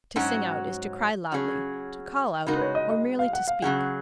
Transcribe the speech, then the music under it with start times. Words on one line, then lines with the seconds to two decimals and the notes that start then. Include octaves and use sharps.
To sing out is to cry loudly, to call out, or merely to speak.
0.16 G#2 F#3 C#4 F#4
1.32 C#3 F#3 C#4 G#4
2.47 C#3 G#3 D#4 F#4 A#4
2.57 B4
2.61 C#5
2.75 D#5
2.90 D#5
3.19 F5
3.33 F#5
3.48 F5
3.62 C#3 F#3 C#4 G#4 F#5